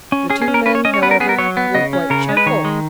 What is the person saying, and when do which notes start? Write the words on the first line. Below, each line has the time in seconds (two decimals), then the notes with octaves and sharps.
The two men, however, were quite cheerful.
0.12 C#4
0.30 C#4 G#4
0.42 G#4
0.48 C#4
0.54 A#4
0.66 C#4 B4
0.75 C#5
0.85 C#4 D#5
0.94 C#5
1.02 B3 B4
1.11 A#4
1.20 B3 G#4
1.29 A#4
1.38 F#3 C#5
1.57 B3
1.75 C#3 D#5
1.93 C#4
2.10 C#3 A#4
2.29 G#3
2.37 B4
2.46 D#3 C#5
2.65 G#3